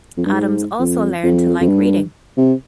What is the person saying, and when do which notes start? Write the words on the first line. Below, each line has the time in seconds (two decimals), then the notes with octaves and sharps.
Adams also learned to like reading.
0.17 F2
0.26 G2
0.33 G#2
0.79 F2
1.23 F2
1.60 F2
1.68 G2
2.37 C3